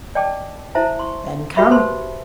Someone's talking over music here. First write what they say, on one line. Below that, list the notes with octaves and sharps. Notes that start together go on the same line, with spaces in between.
"Then come."
D5 D#5 G5 A5 D6
E4 C5 E5 A5 A#5
C6 C#6
F#4 G4 A#4 E5 B5 C#6
B4 C5 A5 C6